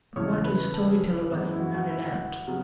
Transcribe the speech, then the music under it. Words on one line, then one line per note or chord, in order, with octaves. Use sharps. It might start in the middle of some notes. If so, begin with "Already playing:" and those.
But what a story-teller was Mary Lant!
E2 C#3 E3 A3 C#5
B4
A4
G#4
F#2 E3 G#3 B3
E4
F#4
F#4
E4
C#3 F#3 B3